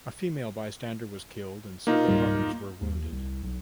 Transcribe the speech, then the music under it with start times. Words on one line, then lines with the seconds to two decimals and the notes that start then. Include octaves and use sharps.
A female bystander was killed and several others were wounded.
1.87 A#3 D#4 F4
2.08 C#2 G#2 G3
2.81 D#2
3.12 C2
3.43 B1